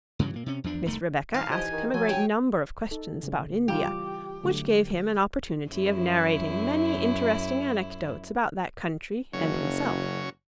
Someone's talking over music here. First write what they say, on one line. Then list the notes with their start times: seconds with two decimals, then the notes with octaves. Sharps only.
Miss Rebecca asked him a great number of questions about India, which gave him an opportunity of narrating many interesting anecdotes about that country and himself.
0.19 G2 C#3 E3 F#3
0.34 A#2 A#3
0.46 C3 C#4
0.64 E2 F3 D4
0.86 E1 C2 D#3 A3
1.34 E3 D#4 F5 A5
1.50 F3 G4 D#5 G#5
1.72 D#3
1.94 F3 F#3 A3 G#5
2.09 G4 C#5 G5 D#7
2.91 D#4 A4
3.23 C#3
3.68 E3 G3 F4 G4
4.43 D3 F#3 A3
5.71 F#2 E4
9.33 F#1 C#3 F#3 C#5